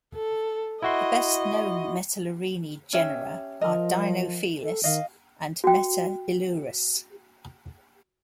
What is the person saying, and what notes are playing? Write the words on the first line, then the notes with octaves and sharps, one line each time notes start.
The best known Metalurini genera are "Dinofelis" and "Metailurus".
A4
E4 F#4 D#5 C6
C#4 G4 E5
F3 A#4 D#5
A4
D#3 D#5 F5
F#4 G5